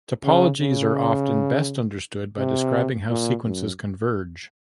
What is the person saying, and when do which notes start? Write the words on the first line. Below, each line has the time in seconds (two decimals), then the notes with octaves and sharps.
Topologies are often best understood by describing how sequences converge.
0.25 C#3
0.60 C#3
2.38 C3
3.10 A#2
3.45 F#2